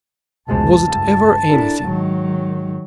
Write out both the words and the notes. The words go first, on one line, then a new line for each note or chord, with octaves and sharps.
Was it ever anything?
F1 C#2 B2 G#3 C5 A5
C#2 G2
D4 E4 A4 A#4
G#2 D#3 F#3